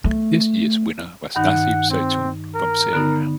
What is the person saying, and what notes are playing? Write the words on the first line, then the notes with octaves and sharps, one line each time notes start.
This year's winner was Nassif Zaytoun from Syria.
A3
G2 D#3 D#4 F#5
C4
A#4
D3 B3 D#4